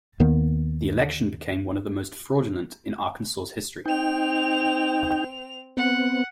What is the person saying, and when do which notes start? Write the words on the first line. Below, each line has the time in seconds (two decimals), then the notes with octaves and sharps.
The election became one of the most fraudulent in Arkansas' history.
0.20 D#2 D#3 A#3 B3
3.86 C4 D#4 G5 F7
5.77 B3 C4 F#5